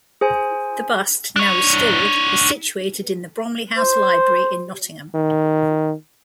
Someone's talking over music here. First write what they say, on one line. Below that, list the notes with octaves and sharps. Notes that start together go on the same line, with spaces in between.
The bust, now restored, is situated in the Bromley House Library in Nottingham.
G#4 C5 G#5
D4 C#5
C5
D#3